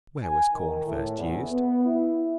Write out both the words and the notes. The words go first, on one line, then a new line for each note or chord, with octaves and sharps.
Where was Corn first used?
G#5
D#3
A2
E2
B3
E4